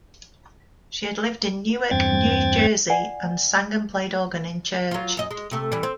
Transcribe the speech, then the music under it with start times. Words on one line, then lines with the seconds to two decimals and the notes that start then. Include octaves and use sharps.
She had lived in Newark, New Jersey, and sang and played organ in church.
1.91 E2 G2 C4 G5 G#6 A6
2.90 D5 F#5 G#5
4.91 F#3 F4
5.17 F#2 D#5
5.31 G#3
5.51 C3 A3
5.72 E3 G3
5.83 C4